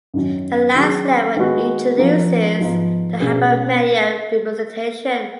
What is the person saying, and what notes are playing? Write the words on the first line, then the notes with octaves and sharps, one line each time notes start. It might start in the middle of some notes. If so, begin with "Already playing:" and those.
The last level introduces the hypermedia representation.
F#2 D#3 F#3 C#4
D#3 F#3 C#4 G#4
D#3 G#3 B3 F#4
F3 A#3 C#4
G#2 F3 B3 D#4
B2 A#3 C#4 G#4 B4